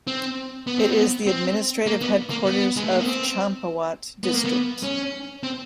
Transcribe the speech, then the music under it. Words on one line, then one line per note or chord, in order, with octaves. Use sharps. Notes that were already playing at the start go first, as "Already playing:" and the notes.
It is the administrative headquarters of Champawat district.
C4
B3
C4
B3
C4
A#3
B3
A#3
B3
G#3
A3
A#3
B3
C4
B3
A#3
B3
C#4
C4